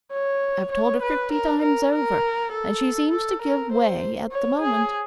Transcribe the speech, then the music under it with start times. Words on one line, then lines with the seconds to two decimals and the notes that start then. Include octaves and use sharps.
I have told her fifty times over, and she seems to give way at the moment.
0.12 C#5
0.72 C#5
1.02 B4
1.32 A#4
1.62 A#4
1.92 A#4
2.52 A4
3.12 A4
3.42 A#4
3.72 C5
4.32 C#5
4.61 G#4